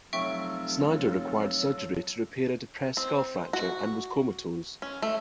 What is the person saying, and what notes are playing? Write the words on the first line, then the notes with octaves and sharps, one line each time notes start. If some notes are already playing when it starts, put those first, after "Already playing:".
Snyder required surgery to repair a depressed skull fracture and was comatose.
F1 F#3 F4 A4 E5 G5 C#6
C4
F#4
C#4
A3